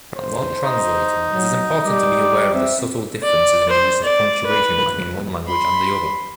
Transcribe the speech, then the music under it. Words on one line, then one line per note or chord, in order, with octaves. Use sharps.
While translating, it is important to be aware of the subtle differences in the use of punctuation between one language and the other.
C5
D#4
F#3
G3 D6
C4 E5
D5
C5
D5
B4
B5 C6